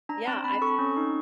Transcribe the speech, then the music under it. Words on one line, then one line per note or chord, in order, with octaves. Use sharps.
Yeah I've
D4 A#5
C4 A5
C4 B5
A4 C#6
C#4
D#4